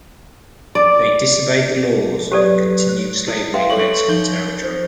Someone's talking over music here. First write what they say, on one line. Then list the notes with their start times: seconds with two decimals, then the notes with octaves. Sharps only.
They disobeyed the laws and continued slavery in Mexican territory.
0.75 D5
2.32 F#3 G4 A4 B4 D5
3.28 E4
3.54 B4 E5 F5 G5 C6
3.70 A4 C#5 C#6 F#7
4.08 F3 D#4 G6 G7
4.63 C5